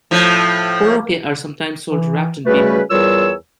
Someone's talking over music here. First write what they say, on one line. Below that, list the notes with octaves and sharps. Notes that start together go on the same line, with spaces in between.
"Korokke" are sometimes sold wrapped in paper.
A2 F3
E3
C#3 G3 A3 F#4 B4
E2 G3 F4 A#4 C#5 E6